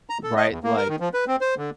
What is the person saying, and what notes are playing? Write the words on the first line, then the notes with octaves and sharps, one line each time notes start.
Right? Like
A#5
A4
D#5
E2
A#3
A#4
D#3
F3
B4
C4
C5
D3